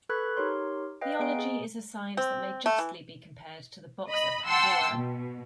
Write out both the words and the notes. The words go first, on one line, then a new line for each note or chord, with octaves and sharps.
Theology is a science that may justly be compared to the Box of Pandora.
A4 B4 B5 C#6 F#6 G#6
D#4 G4 A#4 C#5 C6
B4 D#5 F5 G5
B3 G#4 D#5 G#5 A#5 D7
G#4
C4
A3
E3
D#5 B5
F#5 G5 A5 C6 E6
B2